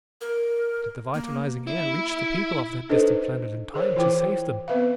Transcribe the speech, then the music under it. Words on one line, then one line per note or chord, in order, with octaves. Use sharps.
Did the vitalizing air reach the people of that distant planet in time to save them?
A#4
A#3
E4
D4 D#4 A4 B4 C5 D#5
G#4 A#4 C5 C#5
E3 E4 F4 C5 G5 D6
B3 C4 B4 E5 F5